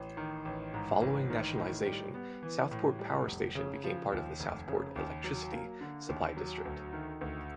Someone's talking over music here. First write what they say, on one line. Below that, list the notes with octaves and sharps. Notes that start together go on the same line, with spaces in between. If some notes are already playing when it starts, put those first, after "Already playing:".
Following nationalisation Southport power station became part of the Southport electricity supply district.
Already playing: A1
D#3
A1
G#2
A1
D#3
A2
G3
B3
E3
A2
G3
F1
C#3
F3
D#2
F1
C#3
D#2
F#3
A#3
D3
D#2
F#3
D2
D#3
D2